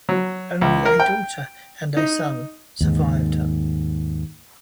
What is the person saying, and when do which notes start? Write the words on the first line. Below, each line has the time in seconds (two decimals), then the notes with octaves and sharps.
Only a daughter and a son survived her.
0.09 F#3
0.61 C#2
0.85 A#4
1.00 G5
1.97 D#4
2.81 D#2 G#2